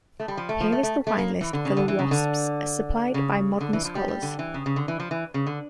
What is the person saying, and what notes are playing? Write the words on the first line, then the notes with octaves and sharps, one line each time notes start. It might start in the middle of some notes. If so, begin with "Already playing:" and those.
Here is the wine list for "The Wasps" as supplied by modern scholars.
A3
G3
F3
A3
F3
A3
A3
A3
A#3
E3
D3
C#3
D3
E3
C#3
D3
C#3
D3
E3
F3
G3
G3
D3
E3
C#3
C#3
D3
E3
F3
E3
C#3
D3